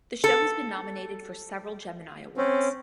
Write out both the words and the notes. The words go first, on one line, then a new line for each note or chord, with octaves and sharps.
The show has been nominated for several Gemini Awards.
A4
C4 C#4